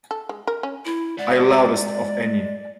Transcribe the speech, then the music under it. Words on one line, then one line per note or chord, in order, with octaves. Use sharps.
I loudest of any.
A4
G#3
A#4
C#4
E4
G#3 D5 E5 F#5